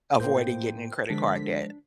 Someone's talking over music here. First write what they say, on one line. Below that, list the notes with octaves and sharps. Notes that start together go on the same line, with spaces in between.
avoiding getting in credit card debt.
A2 A#3 F4 A#4 C5 G5 G6
D3 F3 G#3 D4 B6